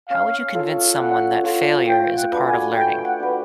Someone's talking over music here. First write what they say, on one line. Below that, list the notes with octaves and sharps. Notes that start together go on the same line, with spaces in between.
How would you convince someone that failure is a part of learning?
C#4 F5
F4 A4 C#5
C#4 F#5
F4 A4 C#5
A3 G5
F#5
D4 F#4 B4
G#5
A3 G5
F#5
D4 F#4 B4